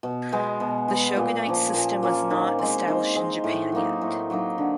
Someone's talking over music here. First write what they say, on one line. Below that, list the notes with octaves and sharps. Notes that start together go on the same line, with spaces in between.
The shogunate system was not established in Japan yet.
B2
G#3 B3
B2
G#3 B3
A#2
F3 A#3 C#4
A#2
F3 A#3 C#4
D#3
G#3 C4
D#3
G#3 C4
A2
F#3 A#3 D#4
A2
F#3 A#3 D#4
D3